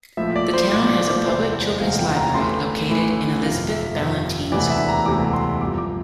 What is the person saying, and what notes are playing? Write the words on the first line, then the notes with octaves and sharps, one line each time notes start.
The town has a public children's library located in Elizabeth Ballantyne school.
A#1 A2 F3 E5
D5
C5
A#1 A2 F3 D5
D5
D5
E1 D2 C3 E3 C5
D5
D5
E1 D2 C3 E3 F5
G5
A#5
A1 A2 E3 C6
A1 A2 E3
G1 F2 C3 F3 F5
E5
G1 F2 C3 F3 E5
E1 D2 C3 E3 D5
E5
A#5
E1 D2 C3 E3 D6
C6
G1 G2 F3 D6
D6